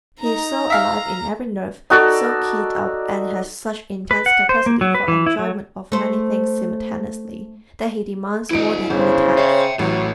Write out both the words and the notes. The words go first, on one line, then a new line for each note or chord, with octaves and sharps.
He is so alive in every nerve, so keyed-up and has such intense capacity for enjoyment of many things simultaneously that he demands more than other types.
D#4 A#5
E5 F5
D#4 F#4 A4 D5
B4
F#5
C5
A#3
F#3
B4
E3
E4
F#3
A3 C5
D2 E3 E4 D#5 D7
G1 C#3 C5
C#5 E5 G5
A1 A2 F#3